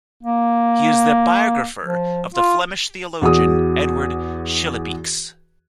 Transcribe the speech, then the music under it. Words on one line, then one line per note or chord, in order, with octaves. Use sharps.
He is the biographer of the Flemish theologian Edward Schillebeeckx.
A#3
F3
F4
E2 F#4 G#4 D#6